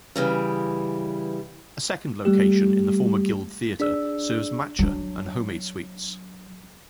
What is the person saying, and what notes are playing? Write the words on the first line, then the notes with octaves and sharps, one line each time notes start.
A second location in the former Guild Theatre serves matcha and homemade sweets.
C#3 E3 G3
G3 A3 G4
D4 G#4 D5 E6
F#3 D4